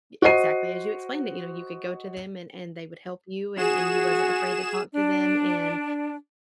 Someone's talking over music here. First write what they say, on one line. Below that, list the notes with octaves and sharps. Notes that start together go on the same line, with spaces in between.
exactly as you explained it, you know, you could go to them and and they would help you and and you wasn't afraid to talk to them, and,
F#4 C5 D#5 C7 D#7
F#4 G#4 E7
D4